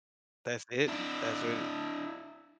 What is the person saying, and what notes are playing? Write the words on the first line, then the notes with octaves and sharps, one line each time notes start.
That's it? That's really
D4 E4